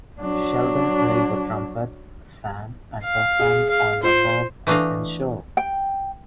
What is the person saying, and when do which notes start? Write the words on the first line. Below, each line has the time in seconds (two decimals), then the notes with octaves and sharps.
Sheldon played the trumpet, sang, and performed on "The Merv Griffin Show".
0.21 F#3 D4
3.04 F5
3.39 G#4
3.69 F5
4.03 F4 C5
4.67 E3 A3 D4 D#5 F5
5.57 G5